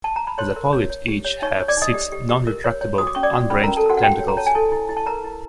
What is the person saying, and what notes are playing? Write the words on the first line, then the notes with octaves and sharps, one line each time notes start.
The polyps each have six non-retractable, unbranched tentacles.
A5
A#5
B5
C5 C#5 C6
A#4
C#5
C#5
G4
C#5
D#4 C#5 C#6
C#5
D5 D6
D#4 D#5 D#6
G4
G4
G4
A#4
C#5
C#5
F#4 D#6
D6
C#4 C#6
D5 D6
F#4
C#4 B4 B5
A#4 A#5
C#4
A4 A5
F#4 A#4 F#5
F#5
F#4 G4 G5
C#5
A#5
C#5 A5
G#5
E4 A4 A5
E4
E4
A5
A#4 B4 A#5
E4